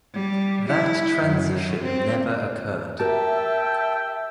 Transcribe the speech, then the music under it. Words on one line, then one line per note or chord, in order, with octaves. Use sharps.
That transition never occurred.
G3
E4
F#2
C4
G4 A#4 E5 G5 A5 E6